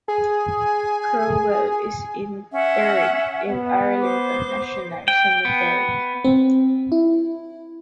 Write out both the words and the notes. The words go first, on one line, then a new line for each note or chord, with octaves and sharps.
Crowell is interred in Arlington National Cemetery.
G#4 G#5
C#4 E5 F#5
B3
C5 D6
G5
B3
C4
E4